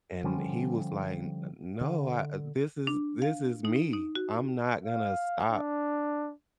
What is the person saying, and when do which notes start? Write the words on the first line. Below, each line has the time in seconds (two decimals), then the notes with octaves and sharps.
And he was like, "N n no, uh, this is this is me. I'm not gonna stop,
0.24 D3 F3 G3 C#4
1.81 D3
2.87 D4
3.22 F5
3.65 D#4
3.93 D#4
4.15 F#4
4.85 F5
5.51 D4